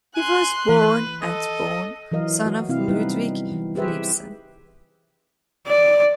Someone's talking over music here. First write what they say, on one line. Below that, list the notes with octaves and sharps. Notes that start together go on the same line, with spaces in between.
He was born at Bonn, son of Ludwig Philippson.
G#5 C6 F#6
E3 B4
A4 D#5
E3 F#3 A#4 D#5 F5
F#4
C3 C4 E4 F5
G3 B3 D#4 E4 B4
E3
E4 G4 G#4 B4 C5 E5
D5